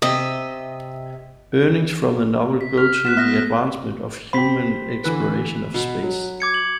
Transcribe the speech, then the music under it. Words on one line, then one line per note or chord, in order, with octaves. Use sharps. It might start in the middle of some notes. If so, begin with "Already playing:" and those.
Earnings from the novel go to the advancement of human exploration of space.
C3 D#5 E5
B6
F6 B6
B3 F#6 B6 E7
A3 F6 A#6 B6
G4 C5 B5 B6
D3 E3 B4
B2
F#3
D6 G#6 C#7
F#7